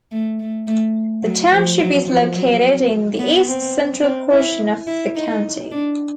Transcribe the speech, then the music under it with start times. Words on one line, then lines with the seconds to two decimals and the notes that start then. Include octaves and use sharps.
The township is located in the east central portion of the county.
0.11 A3
0.39 A3
0.67 A3
1.23 F#3
1.51 F3
1.79 F#3
2.07 F3
2.35 F#3
3.19 B3
3.47 C4
4.03 C4
4.31 E4
4.87 E4
5.15 D#4
5.71 D4